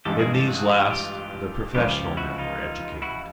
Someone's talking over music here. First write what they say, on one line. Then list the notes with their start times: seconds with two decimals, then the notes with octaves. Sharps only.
In these last the professional men were educated.
0.05 A1 G2 E3 G#3 G4 A4
0.19 G#4 A#4
0.34 G4 A4
0.47 F#4 G#4
0.90 F4 G4
1.75 C#2 C#3 F3 F4 G4
2.17 E4 F#4
2.38 D#4 F4
3.02 E4 F#4